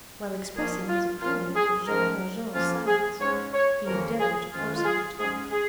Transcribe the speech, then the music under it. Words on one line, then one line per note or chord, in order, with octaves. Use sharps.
While expressing his approval of Jean Valjean's silence, he endeavored to force him to talk.
A#2 F3 A#3 C#4 G#4
F4
A#2 F3 C#4 F4
G#4
G#2 F3 C#4 A#4
F2 F3 A#3 C#4 F4
G#4
G#2 G#3 C#4 C#5
C#5
F2 D#3 A#3 C#4 A#4
G#4
F2 D#3 G#3 C#4 F4
F4
G#4
G#2 G#3 C#4 G#4
G#4